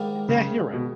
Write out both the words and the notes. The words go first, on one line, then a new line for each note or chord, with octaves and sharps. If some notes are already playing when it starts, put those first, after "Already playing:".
yeah, you're right.
Already playing: G#2 D#3 A#3 E4 G4
C#3
B2